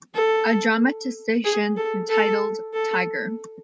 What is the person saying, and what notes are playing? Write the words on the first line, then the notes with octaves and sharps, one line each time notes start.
A dramatisation titled Tiger!
A4
G#4
A4
A4
A4